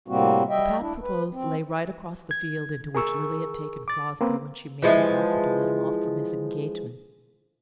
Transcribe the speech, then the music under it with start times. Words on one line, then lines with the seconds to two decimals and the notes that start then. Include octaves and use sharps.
The path proposed lay right across the field into which Lily had taken Crosbie when she made her offer to let him off from his engagement.
0.08 A2 C3 G3 A#3 C4 F#4
0.49 G3 D#5 E5 G5
0.80 D4 E4
1.02 B4
1.32 C4
2.31 G#6
2.95 G#4 A#4 C#6 E6
3.88 D6 A6
4.21 A#3 C4 B4
4.82 E3 F3 G#3